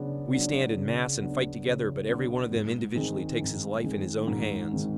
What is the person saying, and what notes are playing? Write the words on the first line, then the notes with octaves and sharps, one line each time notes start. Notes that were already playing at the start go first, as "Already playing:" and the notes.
We stand in mass and fight together, but every one of them individually takes his life in his own hands.
Already playing: C#3 F#3 B3 D4
F#3 B3 D4
C#3
F#3 B3 D4
C#3
F#3 B3 D4
G#2
D#3 G#3 C4
G#2
D#3 G#3 C4
G#2
D#3 G#3 C4